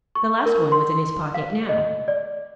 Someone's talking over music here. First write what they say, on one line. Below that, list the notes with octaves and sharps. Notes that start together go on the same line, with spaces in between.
The last one was in his pocket now.
C#6
A#4
C6
F5
D#5
D5